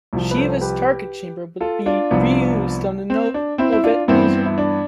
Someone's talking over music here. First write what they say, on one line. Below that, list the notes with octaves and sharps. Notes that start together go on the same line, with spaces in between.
Shiva's target chamber would be reused on the Novette laser.
C2 C3 F3
B4
A4 C5
G4 B4
F4 A4
D4 F4
C2 C3 F3 B3
C4
D4
C4 E4
E4
D4 F4
G2 E3 B3 C4 E4
E4
D4